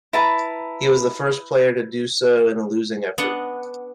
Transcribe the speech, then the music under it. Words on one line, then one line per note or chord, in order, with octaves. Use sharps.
He was the first player to do so in a losing effort.
E4 B4 A5 A#5
B3 D4 D#5 F#5